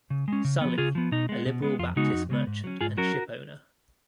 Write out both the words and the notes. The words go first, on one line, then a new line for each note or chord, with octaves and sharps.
Sully, a liberal Baptist merchant and ship-owner.
C#3
G#3 C#4
C#3
F3 B3
C#3 F4 G#4
F3 B3
B2 D#4
G#3 B3
B2
G#3 B3
F2 F4
C#3 G#3 B3 D#4 F#4
F2
C#3 G#3 B3
G#2
F#3 C#4
G#2 F4 G#4
F#3 C#4 F#4 A#4